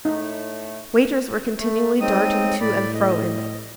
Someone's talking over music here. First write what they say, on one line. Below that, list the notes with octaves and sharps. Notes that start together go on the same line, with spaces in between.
Waiters were continually darting to and fro in it.
A2 A3 D#4
A3
G#3 C4 D#4 C#5 D#6
A2 D5 B5
D#5